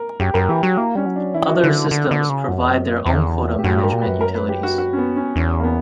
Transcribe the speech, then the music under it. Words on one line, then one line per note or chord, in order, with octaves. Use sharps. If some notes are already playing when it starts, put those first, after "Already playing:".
Other systems provide their own quota management utilities.
Already playing: A#4
F#2 G4
F#2 A#4
E3 G4
F#3 F#4
A#3 E4
G3 C#4
F#3
D4
E3 E4
F#4
E4
D3
D3
D3
C#3
F#2
E2
F#2
E2
G4
F#2 F#4
G2 G4
A#4
A#2
B4
F#2
A#4
B4
G4
F#4
F#4
C#4
B3
C#4
E2 C#4
A#3
B3